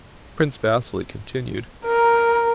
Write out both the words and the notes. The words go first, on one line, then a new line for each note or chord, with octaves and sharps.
Prince Vasili continued.
A#4 A#5